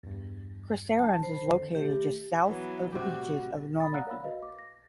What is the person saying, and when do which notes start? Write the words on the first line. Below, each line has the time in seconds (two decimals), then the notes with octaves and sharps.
Cresserons is located just south of the beaches of Normandy.
0.03 E2 G2
0.99 F#3 D4 A5
1.23 C5 B5
1.47 F2 D3 D#3
1.75 D#3 A3 G4
2.47 E3 F#3 B3
2.92 A2 C3 G3 F#4 G4
3.80 B5 D#6 A6
3.92 D5 F5 F#5 A#5 E6 F#6
4.07 A#4 C#5 F5 B5 E6
4.24 F#4 A#4 B4 D#5 F5
4.42 D6
4.59 A#6